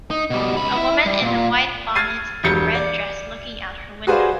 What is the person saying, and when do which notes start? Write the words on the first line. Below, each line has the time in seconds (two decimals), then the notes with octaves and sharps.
A woman in a white bonnet and red dress looking out her window.
0.11 D#4
0.30 B2 G3
0.57 C#2 B5
0.76 E4
1.06 G3
1.22 A#2
1.95 F6 G#6 A6 C7 D#7
2.44 E1 G2 G6 C#7
2.75 D5
4.07 F#4 G#4 B4 C5 D5 F5